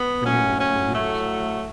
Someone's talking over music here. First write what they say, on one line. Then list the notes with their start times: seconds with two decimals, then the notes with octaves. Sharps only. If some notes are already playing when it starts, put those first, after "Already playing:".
"For nearly four years."
Already playing: B3
0.24 A2 F#3 C#4
0.59 C#4
0.93 A3